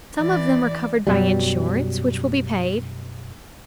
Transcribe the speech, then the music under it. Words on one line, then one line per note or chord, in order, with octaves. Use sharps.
Some of them are covered by insurance which will be paid.
E3 D5
F#2 B2 F#3 G3